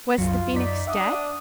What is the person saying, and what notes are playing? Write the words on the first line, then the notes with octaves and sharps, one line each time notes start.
Was the Phoenix dead?
C2 F#2 F#3 F4
F#2 D#4 D5 B6
D4 E5 F#5 D6 D#6